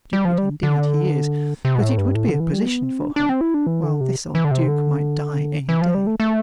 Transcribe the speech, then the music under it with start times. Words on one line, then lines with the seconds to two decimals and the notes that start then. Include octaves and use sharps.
Stupid, indeed, he is; but it would be a position for her, while this old duke might die any day.
0.13 G3
0.25 F3
0.38 G3
0.63 D3
1.65 C3
1.75 B2
1.81 A2
1.98 G2
2.15 A2
2.28 D3
2.40 E3
2.53 G3
2.66 B3
2.83 C4
2.99 D4
3.16 D4
3.29 C4
3.41 E4
3.54 D4
3.67 E3
3.84 D3
4.01 C3
4.35 E3
4.45 D3
4.51 C3
4.68 D3
5.69 E3
5.81 F3
5.94 G3
6.07 A3
6.20 A3